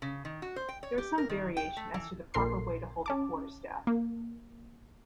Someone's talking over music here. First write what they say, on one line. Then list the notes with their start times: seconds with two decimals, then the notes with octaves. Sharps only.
There is some variation as to the proper way to hold a quarterstaff.
0.02 C#3
0.25 D#3
0.42 F#4
0.56 C5
0.69 G5
0.83 C#5
0.98 G4
1.18 A#4
1.29 D#3
1.57 G5
1.77 A3
1.94 E3
2.34 A#1 A4 A#4 C6 C7
3.06 C#4 A5 D6
3.87 A#3